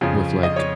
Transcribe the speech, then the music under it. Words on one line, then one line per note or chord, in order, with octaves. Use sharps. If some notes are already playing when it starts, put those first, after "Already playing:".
with, like,
F2 C#3 F3
D#5
C#5